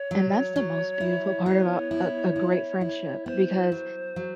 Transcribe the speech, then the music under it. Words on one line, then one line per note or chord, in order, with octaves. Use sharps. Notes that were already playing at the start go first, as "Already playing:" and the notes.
And that's the most beautiful part about a a great friendship, because
Already playing: C#5
F#3
F#3
E4
B3 C#5
E4
E4
E4
B3 C5
F#3
F#3